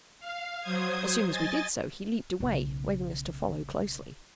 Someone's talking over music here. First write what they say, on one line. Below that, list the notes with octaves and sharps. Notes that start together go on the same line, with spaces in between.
As soon as we did so, he leaped away, waving us to follow closely.
F5
F#3 C5 D#6 G#6
D#5 G#5 A6
B1 C#3